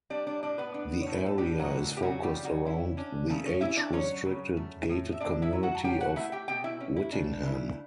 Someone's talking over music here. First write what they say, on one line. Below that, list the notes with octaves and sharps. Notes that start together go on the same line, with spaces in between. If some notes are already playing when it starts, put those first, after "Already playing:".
The area is focused around the age-restricted gated community of Whittingham.
G3 D4 D5
D4 D5
A2 D4 D5
B3 B4
D4
A2 C#5
B4
A4
G3 D4 G4
F#3 F#4
A2
G4
C#3 F#3 F#4
G3 G4
C#3
F#3 F#4
C#4 E4
C#4 D4
C#3 A3 A4
C#4 C#5
C#4 E4 E5
D4 D5
F#3 C#4 C#5
C#3
A3
A2
E5
A2 D4 D5
E4 E5
F#3
F#4 F#5
A5
C#4 G4 G5
F#4 F#5
A3 E4 E5
G4 G5
B2 G4 G5
E4 E5
C#4
E4
C#3 D4
C#3 E4